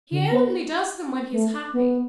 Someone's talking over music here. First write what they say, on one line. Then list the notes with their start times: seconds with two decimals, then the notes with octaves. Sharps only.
He only does them when he's happy.
0.11 D3
0.31 B3
1.32 A3
1.73 B3